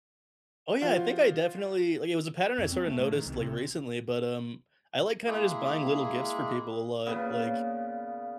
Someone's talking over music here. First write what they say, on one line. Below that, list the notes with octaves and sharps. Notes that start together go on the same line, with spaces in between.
Oh yeah, I think I definitely like, it was a pattern I sorta noticed, like, recently, but, um, I like kinda just buying little gifts for people a lot. Like
F3 F4 F#4
F2
C4
A3
A2
D#3
C2
C3
G#3 A#3 E4 G#4
A#2 C#3 B3